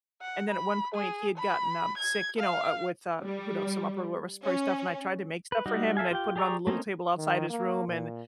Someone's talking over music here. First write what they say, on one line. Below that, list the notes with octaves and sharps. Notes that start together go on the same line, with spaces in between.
and then at one point he had gotten, um, sick, you know, uh, with, uh, who knows, some upper lower respiratory stuff, and I tried to make stuff for him, and I'd put it on the little table outside his room and
F#5
B5
G#4
B5
G#6
F5
G3
C#4
B4
G3 D#4 F#4
A4 E5 F5 G#5
F4 G4 G5
G4 G#4 D5 A#5 C#6
A3 A#3 C4 C#4 D#4
D#3
A#3
A#2